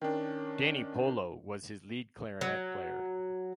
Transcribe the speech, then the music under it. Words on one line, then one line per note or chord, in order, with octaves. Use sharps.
Danny Polo was his lead clarinet player.
D#3 C#4 D4 A#4 G5
F#3